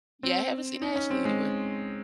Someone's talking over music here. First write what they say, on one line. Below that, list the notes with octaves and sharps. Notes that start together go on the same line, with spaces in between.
Yeah, I haven't seen Ashley anywhere.
C4
D#4
C#4
C4
G#3